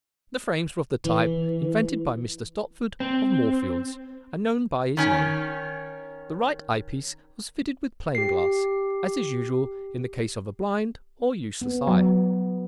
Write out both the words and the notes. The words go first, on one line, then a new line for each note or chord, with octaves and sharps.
The frames were of the type invented by Mr. Stopford of Moorfields and known by his name. The right eye-piece was fitted with plain glass, as is usual in the case of a blind, or useless, eye.
E3
C4
D#3 C#4
G4 C7
B3
F#3